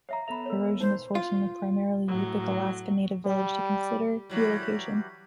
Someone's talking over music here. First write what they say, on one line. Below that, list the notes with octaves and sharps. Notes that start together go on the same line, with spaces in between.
Erosion is forcing the primarily Yupik Alaska Native village to consider relocation.
C#5 E5 F5 A#5
B3 A4 E5 A#5 B5
A#4 C#5
D#4 C5
F4
A2 F#3
G3
E3 F#3 G3